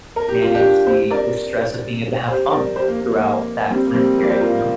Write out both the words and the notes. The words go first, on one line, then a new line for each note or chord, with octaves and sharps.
manage the the stress of being able to have fun throughout that time period, you know?
A#4
G4
F4
D4 G4
G4 C5
A#4 D5
G4 C5
A#4 D5
G4 C5
A#3
A#3
A#3
G3 C4
A#3
G3 C4
A#3
D5
G4 C5
F4 A#4